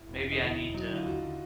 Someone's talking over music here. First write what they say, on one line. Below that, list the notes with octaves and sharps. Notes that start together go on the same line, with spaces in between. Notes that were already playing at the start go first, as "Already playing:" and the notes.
Maybe I need to
Already playing: E4
E1
E1
D#4
D2 E4
E1
F#3 D#4
E4
D3
F4
D#2 F#4
D3